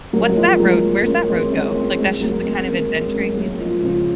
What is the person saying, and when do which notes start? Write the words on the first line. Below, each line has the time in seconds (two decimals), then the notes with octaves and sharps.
"What's that road? Where's that road go?" like, that's just the kind of adventuring we like to do-
0.13 F#3 A#3
0.29 F#3
0.36 F3 G#3
0.60 F#3 A#3
1.06 A#3 C#4
1.29 G#3 C4
1.52 A#3 C#4
1.75 G#3 C4
1.98 G#3 C4
2.21 F#3 A#3
2.44 G#3 C4
2.68 A#3 C#4
2.91 G#3 C4
3.14 A#3 C#4
3.37 F#3 A#3
3.60 F3 G#3
3.83 C#3 F3